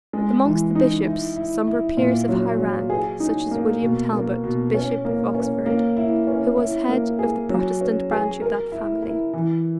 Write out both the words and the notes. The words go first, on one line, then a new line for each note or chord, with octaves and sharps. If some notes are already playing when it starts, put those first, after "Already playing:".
Amongst the bishops some were peers of high rank, such as William Talbot, Bishop of Oxford, who was head of the Protestant branch of that family.
G#3
E3
D#4
E4
E4
E4
A#2
F#3
F#3
G#4
D#4
A#3
B2
A#3
B2
C#4
A#3
C#4
A#3
E4
C#4
E4
A#3
G#4
F#3
C#4
G#4
A#4
E4
E4
E3